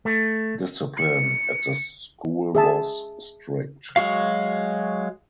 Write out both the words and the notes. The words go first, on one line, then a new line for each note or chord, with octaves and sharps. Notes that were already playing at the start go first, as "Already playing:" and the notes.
Discipline at the school was strict.
A3
C#7
G#4 E5 A5
F#3 G#3 F#4 F5